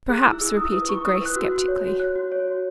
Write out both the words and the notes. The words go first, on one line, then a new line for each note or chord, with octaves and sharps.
"Perhaps," repeated Grace sceptically.
G#4 F#6
E4 E6
G#4 E6
E4 D#6
B4 D#6
E4 C#6
E4 D#6
E6
B4
F#6
F#4
F#4
C#5
F#4
C#5 F#6
F#4
C#5
F#4